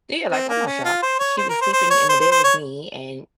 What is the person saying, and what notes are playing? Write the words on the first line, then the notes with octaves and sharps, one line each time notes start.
Yeah, like, "I'm not shocked. She was sleeping in the bed with me and
C4
A#3
C#4
F4
C5
C#5
C5
A#4
C5
C5
C#5
C5
C5
C5
C#5